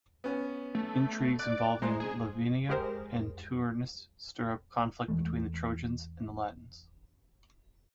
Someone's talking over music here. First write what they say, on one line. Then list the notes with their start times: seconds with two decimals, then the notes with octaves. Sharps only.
Intrigues involving Lavinia and Turnus stir up conflict between the Trojans and the Latins.
0.24 B3 C#4
0.75 A3
1.39 D5 F#6
1.82 G#3 C5 A#5 C6
2.00 G#4
2.69 G#3 G4 G#4 A#4 C5
5.08 E2 E3 G#3 A3